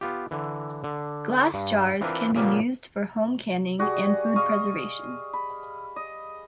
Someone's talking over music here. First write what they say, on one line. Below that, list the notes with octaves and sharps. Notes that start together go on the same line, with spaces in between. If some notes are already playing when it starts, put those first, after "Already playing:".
Glass jars can be used for home canning and food preservation.
B3 F4 G4
D3 E3
D3
G2
E3 C4 D4 F4 A#4 B4
A#2 C#3 F3 G3 A#3 B3
G3 F#4 G#4
D#5 F5 C#6
B5
D#5